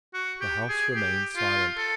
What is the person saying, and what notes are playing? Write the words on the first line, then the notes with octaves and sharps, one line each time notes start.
The house remained silent.
F#4
G4
G#4
G4
F4
A4